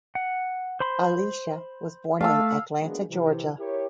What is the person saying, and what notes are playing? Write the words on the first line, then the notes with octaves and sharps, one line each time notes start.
Alicia was born in Atlanta, Georgia.
F#5
C5 B5 C6
A3 F5 A5 E6
F#3 G#3 A#3 B3 D4 G#4
C3 E3
E4 G4 A#4 C#5